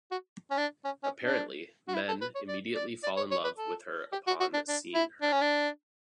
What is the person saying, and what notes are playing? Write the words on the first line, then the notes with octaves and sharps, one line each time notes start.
Apparently, men immediately fall in love with her upon seeing her.
F#4
C#4
D4
C#4
C#4
D4
F#4
E4
A4
B4
C#5
D5
D5
D5
C#5
C#5
B4
A4
G4
F#4
F#4
D4
D4
E4
D4
C#4
D4